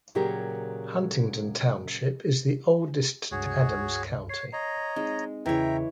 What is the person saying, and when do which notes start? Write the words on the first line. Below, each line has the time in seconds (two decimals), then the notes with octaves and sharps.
Huntington Township is the oldest township in Adams County.
0.15 A#2 C#3 F#3 G4 G#4 A#4
3.31 C#2 G2 F#4 G#4 C#5
4.29 C#5 C7
4.53 C#5 D#5 A#5
4.96 G#3 C4 D#4
5.46 E2 C#3 E3 C#5 E5 G5 A#5